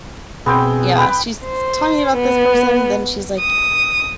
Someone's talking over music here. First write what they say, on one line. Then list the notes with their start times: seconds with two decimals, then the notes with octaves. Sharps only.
Yeah, she's s talking about this person, then she's, like
0.46 B2 B3 C4 G#4 G5
0.98 B4 G5
1.45 C5
2.15 B3
3.40 D#6